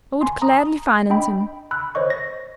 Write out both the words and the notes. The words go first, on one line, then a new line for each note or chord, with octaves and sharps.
I would gladly finance him.
G#5 C6
A#5 D#6
D4 D#5 G5 B5
B5 E6 F#6
C5 C#5 D#5 C#6
A#6